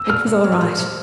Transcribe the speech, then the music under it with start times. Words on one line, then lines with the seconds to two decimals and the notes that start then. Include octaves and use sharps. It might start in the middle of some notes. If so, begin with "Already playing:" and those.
"It was all right."
Already playing: E6
0.09 A#2 F6
0.27 C3
0.44 F2
0.52 G2
0.61 A#2
0.78 C3